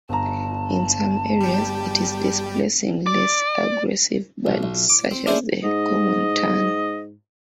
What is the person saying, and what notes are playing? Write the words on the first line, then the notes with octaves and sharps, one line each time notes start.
In some areas, it is displacing less aggressive birds such as the common tern.
G1 A5 A#5
G3 G4
D5
B1
B1
D6
C4
C#4 D4 E4 G#4 C5
G#2 D#5